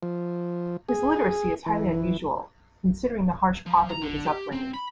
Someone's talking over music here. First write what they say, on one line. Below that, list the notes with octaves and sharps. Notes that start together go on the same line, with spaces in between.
His literacy is highly unusual, considering the harsh poverty of his upbringing.
F3
G#4
E3
F3
A#5
D3
G4
C4
B5